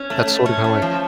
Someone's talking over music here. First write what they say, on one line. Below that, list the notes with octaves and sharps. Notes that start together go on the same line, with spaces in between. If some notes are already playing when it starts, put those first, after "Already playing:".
That's sort of how I
Already playing: C#4
A3
A3
C#4
A3
F3